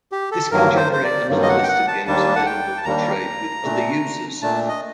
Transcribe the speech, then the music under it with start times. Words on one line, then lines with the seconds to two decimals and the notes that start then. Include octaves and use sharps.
This can generate another list of games available for trade with other users.
0.12 G4
0.32 A4
0.51 G2 D#3 F#3 A#3 A#4
0.77 C5
0.93 C5
1.04 D5
1.29 G2 D#3 F#3 A#3
1.43 D#5
1.49 F#5
1.63 G5
1.69 F#5
1.88 A5
2.07 D#2 D#3 G3 A#3 D4 A5
2.36 F#5
2.46 G5
2.78 A5
2.85 D#2 D#3 G3 A#3 D4 A#5
3.64 A#2 A3 D4
4.42 A#2 A3 D4 A5
4.69 D#5